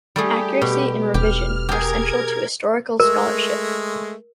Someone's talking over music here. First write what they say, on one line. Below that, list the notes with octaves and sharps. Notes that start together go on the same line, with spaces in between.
Accuracy and revision are central to historical scholarship.
G3 A3 G4 G#4
B2
E1 G4 F6
G4 G#4 A#4 G#6
G#3 A3 A#4